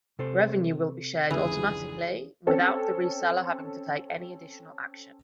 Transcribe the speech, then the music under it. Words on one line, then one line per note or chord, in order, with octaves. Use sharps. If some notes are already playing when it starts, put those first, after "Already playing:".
Revenue will be shared automatically without the reseller having to take any additional action.
C3 A4 C5
F1 C#2 D3 E3 G#4
C4 C#4 A4 C5